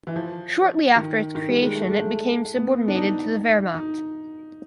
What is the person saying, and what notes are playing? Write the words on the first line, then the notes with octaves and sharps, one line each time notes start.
Shortly after its creation it became subordinated to the Wehrmacht.
E3
F3
D#3
D#3
G3
G#3
A3
G#3
A3
B3
D4
D#4
D#4